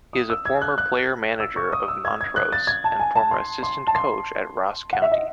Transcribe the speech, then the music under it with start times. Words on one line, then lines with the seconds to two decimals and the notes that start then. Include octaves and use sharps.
He is a former player-manager of Montrose and former assistant coach at Ross County.
0.13 D#6
0.30 E6
0.46 G#6
0.62 F#6
0.78 F#6
1.40 E6
1.56 C#6
1.72 D#6
1.88 E6
2.05 G#6
2.21 G#6
2.36 F#6
2.53 A6
2.67 G#6
2.84 A5
3.00 G#5
3.15 A5
3.31 C6
3.63 C6
3.87 A5
3.95 C6
4.93 F#5
5.02 E5
5.12 D#5